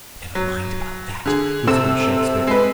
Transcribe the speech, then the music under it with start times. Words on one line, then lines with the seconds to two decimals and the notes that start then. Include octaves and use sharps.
"Never mind about that," whispered Shakespeare.
0.35 F#3
1.26 D3 G#4
1.67 C3 C4 A4 E6
2.47 G#3 B4